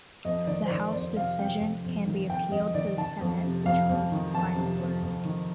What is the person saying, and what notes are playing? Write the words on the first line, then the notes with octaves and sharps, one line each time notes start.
The House decision can be appealed to the Senate, which holds the final word.
F2 D#5
D#3 D5
C5
D#3 D5
F2 D5
C3 F5
C3 G5
F2
F2
D#3
F2 G5
F2 D#5
D#3 D5
D#3 A5
F2
C3
F2 F5
F2
D#3
F2 A5
C3
F2
F2
D#3